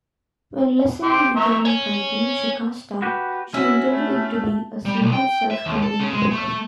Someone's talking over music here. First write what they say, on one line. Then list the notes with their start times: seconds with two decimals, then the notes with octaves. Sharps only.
When Lessing began writing "Shikasta" she intended it to be a "single self-contained book".
1.03 G5 C6 D6
1.36 E5 A#5 C#6
1.65 C#5 G#5
3.02 F#4 G4 B4
3.54 C#4 E4 F#4
3.90 A3
4.85 G3
5.01 B1
5.13 G5
5.51 E5
5.66 D#2
5.82 A4
6.00 C#3
6.13 G#3
6.31 A3